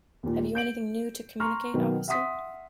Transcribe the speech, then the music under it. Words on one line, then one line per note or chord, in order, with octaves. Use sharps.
Have you anything new to communicate, officer?
D#2 A#2
G6 D7 F#7
A#5 C6 C#6 F6
B2 D#3 F#3 B3
E5 F#5 C6 D#6 B6